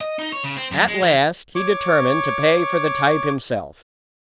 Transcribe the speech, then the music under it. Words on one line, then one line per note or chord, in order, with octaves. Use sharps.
At last he determined to pay for the type himself.
D#5
D#4
C#5
C#3
C4
F#2
G#3
E3
C#5 C#6 D6